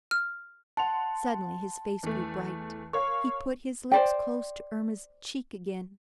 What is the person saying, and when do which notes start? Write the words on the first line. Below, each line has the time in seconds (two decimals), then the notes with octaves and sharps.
Suddenly his face grew bright. He put his lips close to Irma's cheek again.
0.11 F6
0.77 F#5 A5 C6 F7
2.03 E2 A3
2.93 A#4 C#5 F5 C#6
3.92 C5 D5 G5